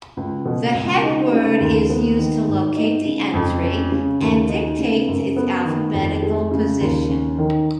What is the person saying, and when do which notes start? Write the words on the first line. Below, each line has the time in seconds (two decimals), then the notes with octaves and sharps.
The headword is used to locate the entry, and dictates its alphabetical position.
0.17 C#2
0.45 B2
0.74 C#2
1.03 D#4
1.32 C#3
1.61 D#2
1.90 B3
2.19 D#3
2.48 G#2
2.77 D#4
3.05 C#3
3.34 F2
3.64 C#4
3.92 C#3
4.21 D#2
4.50 D#4
4.79 C#3
5.08 F#2
5.37 B3
5.65 D#3
5.94 F2
6.22 G#3
6.52 C#3
6.80 D#2
7.09 C#4
7.38 D#3